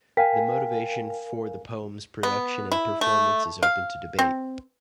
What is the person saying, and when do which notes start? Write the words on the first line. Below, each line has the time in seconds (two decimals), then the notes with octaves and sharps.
The motivation for the poem's production and performance is open to debate.
0.17 A#4 F5 G5 G#5 B6
2.23 B3
2.72 E4
3.01 A3
3.63 F5
4.19 C4